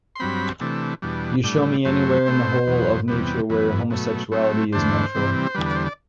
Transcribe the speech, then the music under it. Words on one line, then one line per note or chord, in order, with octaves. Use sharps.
You show me anywhere in the whole of nature where homosexuality is natural?
C6
G2 F#3 C4 B5
C3 E3 A3 D4
E2 B2 G3 D4
A2 G3 D4
F#2 F#3 A3 C5
B2 A3 C4
E2 B2 F#3
E2 C3 G3 B3
F#2 E3 B3
B2 F#3 A3
A2 F#3 A3 C4
E2 D3 A3 D4 C5
C3 E3 G3 C4
C5
E2 D3 G3 B4
B4
D5
C5
D5